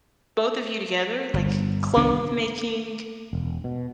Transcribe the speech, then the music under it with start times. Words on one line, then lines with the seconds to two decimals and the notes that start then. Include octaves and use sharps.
both of you together, like, clothe making,
1.34 G1
1.96 C2 D#3 B3 D4
3.33 E1
3.64 B2